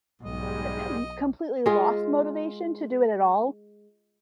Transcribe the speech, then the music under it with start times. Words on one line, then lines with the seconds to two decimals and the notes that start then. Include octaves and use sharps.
eh, uh, completely lost motivation to do it at all.
0.21 B1 G#2 G3 G#3 D#5
1.66 G#3 F4 G#4